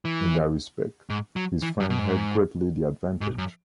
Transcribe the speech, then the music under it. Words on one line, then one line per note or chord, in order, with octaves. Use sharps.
In that respect his friend had greatly the advantage.
E3
G#2
F#3
E3
F#2
B2
G#2
G#2
F#2